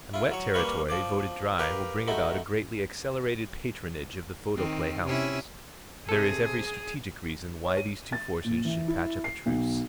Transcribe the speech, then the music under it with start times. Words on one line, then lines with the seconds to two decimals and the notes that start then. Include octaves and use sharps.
And wet territory voted dry will bring about a greatly accelerated patronage of the photoplay houses. There is every strategic reason why these two forces should patch up a truce.
0.14 E4 F4
0.31 F#3 C#5
0.54 G3 A#3 B4 F5 B5 C#6
0.89 F3 D5 D6
1.59 G4 A#4 B4 F5
2.08 A3 D#4 F#4 B5
4.56 D#3 C4
5.05 C3 C#4 E4
6.09 C3 G#4 A4
7.64 C#5
7.77 D#7
8.12 A6
8.44 A#2
8.65 E3
8.88 E4
9.24 C7
9.46 B1